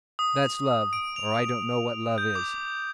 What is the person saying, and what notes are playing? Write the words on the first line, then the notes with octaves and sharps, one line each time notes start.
"That's love, or I don't know what love is."
D#6
D7
F7
G6
D6